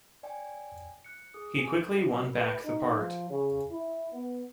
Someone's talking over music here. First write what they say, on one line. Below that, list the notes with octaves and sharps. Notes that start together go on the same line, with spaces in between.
He quickly won back the part.
C#5 D5 G5 G#5
F#6 C#7
G#4 D#6
G#5
F#2
B4
D#4
F3
C#3
E4
B3